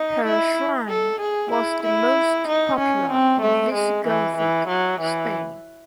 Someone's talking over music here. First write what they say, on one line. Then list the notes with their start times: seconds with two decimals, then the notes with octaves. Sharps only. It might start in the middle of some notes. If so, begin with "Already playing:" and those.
Her shrine was the most popular in Visigothic Spain.
Already playing: D#4
0.26 E4
0.89 A4
1.21 G#4
1.52 E4
1.83 E4
2.48 D#4
2.79 C#4
3.11 C4
3.42 A3
3.74 G#3
4.06 E3
4.37 E3
4.68 F#3
5.01 E3